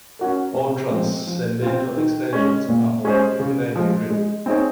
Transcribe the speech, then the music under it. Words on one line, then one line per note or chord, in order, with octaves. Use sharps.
All transcendental extensions are of infinite degree.
C#4 F#4 A#4
C3
F3 G#3 C4
F3
C4 F4
D#3
G#3 C#4
A#2
G#3 C#4 G#4 C5
C#3
F3 G#3
G#3
C4 D#4 G#4 C#5